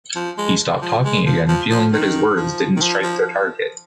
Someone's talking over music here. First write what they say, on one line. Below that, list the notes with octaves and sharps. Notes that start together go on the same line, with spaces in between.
He stopped talking again, feeling that his words didn’t strike their target.
F3
G#3
F3
G#3
F3
F3
F3
D#3
F3
D#3
F3
F3